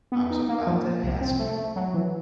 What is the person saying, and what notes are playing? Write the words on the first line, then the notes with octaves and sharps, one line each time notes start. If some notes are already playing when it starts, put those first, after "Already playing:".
I was about to ask you.
B3
D#4
A#3
F3
F3
C2
C4
A3
A3
F#3
E3